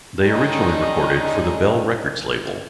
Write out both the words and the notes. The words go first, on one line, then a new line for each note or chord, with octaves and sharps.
They originally recorded for the Bell Records label.
D3 D#3 G3 G#3 C#4 D#4